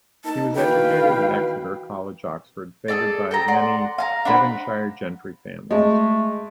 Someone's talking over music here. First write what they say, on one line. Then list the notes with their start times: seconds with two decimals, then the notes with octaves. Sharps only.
He was educated at Exeter College, Oxford, favoured by many Devonshire gentry families.
0.25 A#3 D#4 A5
0.56 D#3 E3 F#4 B4 F5 G5
2.88 G#4 A4 C#5 D5
3.31 A4 G5 A#5
3.48 D5 F#5 C6
3.98 F5 A5 A#5
4.25 D4 C5 F#5 B5
5.71 G#3 A3